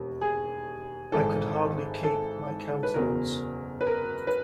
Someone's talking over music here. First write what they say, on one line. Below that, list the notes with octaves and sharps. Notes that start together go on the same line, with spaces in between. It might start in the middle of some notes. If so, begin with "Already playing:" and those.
I could hardly keep my countenance.
Already playing: E1 D#2
G#4
G#1 G#2 E3 A4
A4
B4
F#1 E2 B2 A#4
B4
A#4
B4